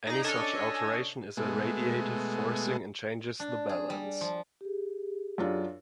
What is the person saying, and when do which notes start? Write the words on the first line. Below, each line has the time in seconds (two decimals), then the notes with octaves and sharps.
Any such alteration is a radiative forcing, and changes the balance.
0.07 D#4 G#4 D5 A#5
0.24 C#4 D4 A4 C#5 D#5 G#5
1.37 B2 G#3 A3
3.40 D4
3.69 G#4
3.90 G3
4.21 F3
4.61 G4 G#4
5.38 F#2 D4 F4